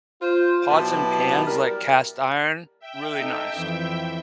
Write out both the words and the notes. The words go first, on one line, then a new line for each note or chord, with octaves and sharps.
pots and pans like cast iron, really nice.
F4 C5
B2 F#3 B3 E4 G4 A5
G3 A#4
E5 G5
D#4 A4
F2 E3